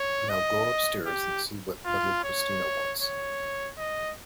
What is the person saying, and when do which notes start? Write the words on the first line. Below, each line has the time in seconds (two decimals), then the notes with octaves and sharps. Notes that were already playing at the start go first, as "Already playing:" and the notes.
Now go upstairs and see what little Christina wants.
Already playing: C#5
0.29 D#5
1.06 G4
1.85 F4
2.24 C#5
3.01 C#5
3.78 D#5